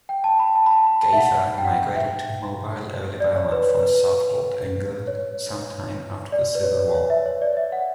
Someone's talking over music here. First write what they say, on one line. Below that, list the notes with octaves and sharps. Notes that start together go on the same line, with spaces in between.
Gayfer migrated to Mobile, Alabama from Southwold, England sometime after the Civil War.
G5
A5
B5
A5
B5
A5
B5
A5
E5
F#5
F#5
G5
F#5
E5
D5
C#5
B4
C#5
B4
C#5
D5
B4
C#5
B4
C#5
E5
C#5
D5
E5
F#5